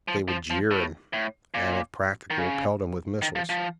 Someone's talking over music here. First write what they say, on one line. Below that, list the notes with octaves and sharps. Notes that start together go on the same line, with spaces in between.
They would jeer him, and, if practicable, pelt him with missiles.
F3
F3
F3
A2
A2
A#2
D#3
C#3
D#3
F3
F3